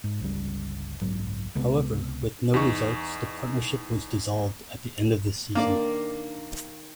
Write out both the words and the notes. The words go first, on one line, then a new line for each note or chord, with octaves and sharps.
However, with no results, the partnership was dissolved at the end of the season.
G#2
G1 C#2 G3
F#1 B1 G#2 F#3
C#2 C3 G#3 B3
E2 D#4 C#6
D#3 A#3 D4 D5